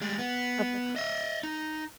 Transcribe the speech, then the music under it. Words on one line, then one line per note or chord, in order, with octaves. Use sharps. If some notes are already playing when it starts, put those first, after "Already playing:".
of the conversation.
G3 G#3
B3
D#5 E5
D#4